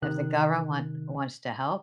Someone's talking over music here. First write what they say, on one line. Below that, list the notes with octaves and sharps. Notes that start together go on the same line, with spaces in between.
If the govern want wants to help,
C3 D#3 F#6